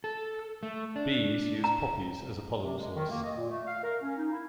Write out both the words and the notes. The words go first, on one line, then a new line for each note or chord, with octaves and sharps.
Bees use poppies as a pollen source.
A4
A3
D4
A#5
C3
G#3
D#3
A#3
D#5
A#2
A3
F5
A#4
C#4
D#4
E4